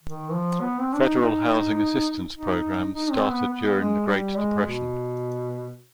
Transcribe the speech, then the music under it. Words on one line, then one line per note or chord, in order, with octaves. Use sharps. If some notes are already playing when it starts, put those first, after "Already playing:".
Federal housing assistance programs started during the Great Depression.
D#3
F3
B3
C4
D4
D#4
D#4
D#4
D#4
C4
B3
B3
G#3
G3
G#3
B2